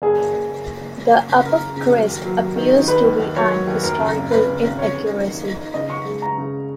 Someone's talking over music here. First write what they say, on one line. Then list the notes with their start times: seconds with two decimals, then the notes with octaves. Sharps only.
The above crest appears to be an historical inaccuaracy.
0.02 F#1 G#4
0.18 F#1
0.34 F#1
0.50 F#1
0.65 F#1
0.81 F#1
0.97 F#1
1.13 F#1
1.29 C#3
1.46 C#3 A#4
1.61 C#3
1.76 C#3
1.93 F#3
2.09 D#2
2.25 F#3
2.41 D#2
2.56 D#3
2.73 D#3
2.88 D#3 B4
3.04 D#2
3.19 D#2
3.36 F#3 C#5
3.51 F#3
3.67 D#2
3.83 F#2 A#4
3.99 C#3
4.15 G#1
4.31 G#1 B4
4.47 C#3
4.63 G#1
4.79 C#3 C#5
4.95 C#3
5.10 D#4
5.26 D#2
5.42 D#4
5.58 D#4
5.74 C#3 D#5
5.90 C#3 C#6
6.05 G#3
6.22 C#3 A#5
6.38 C#3